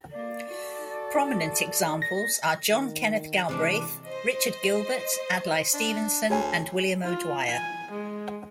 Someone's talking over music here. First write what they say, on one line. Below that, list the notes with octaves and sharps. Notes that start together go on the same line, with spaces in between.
Prominent examples are John Kenneth Galbraith, Richard Gilbert, Adlai Stevenson, and William O'Dwyer.
A#3 D5
F#4 A4
A#6
D#3
C3 E3 G#3 D4
C5 D#5
D4
D2 G#4 C#5 G#5
F4
G#5
G#3